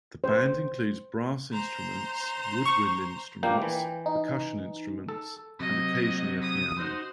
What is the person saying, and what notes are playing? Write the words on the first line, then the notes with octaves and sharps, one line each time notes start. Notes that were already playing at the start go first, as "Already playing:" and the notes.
The band includes brass instruments, woodwind instruments, percussion instruments, and occasionally a piano.
C5
C5 A#5 C6
C#6
F3 A#3 D4 G5
E3
D#4
A4
C3 F#3 D#5
D#6
D#4 F#4 C5